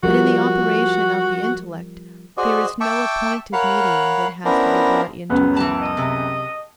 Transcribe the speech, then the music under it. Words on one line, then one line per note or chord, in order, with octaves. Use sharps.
But in the operation of the intellect there is no appointed medium that has to be brought into act.
F3 G3 F#4 A#4
F#4 G#4 C5 D5 D#5
E5 G5 A5 C#6 D6
A#4 C#5 F5 F#5 B5
B3 C#4 D4 E4 A#4 C5
C#2 F#2 B3
E3 A5
D#5
C3